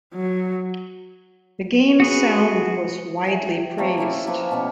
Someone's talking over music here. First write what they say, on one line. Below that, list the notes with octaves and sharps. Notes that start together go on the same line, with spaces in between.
The game's sound was widely praised.
F#3
F#4 G#4 B4
E5 G#5
G4
A3 A#3 C4
A#3 C#4 E4 D5
F3 A#3 A4 B4
B2 A3 C#4 F#4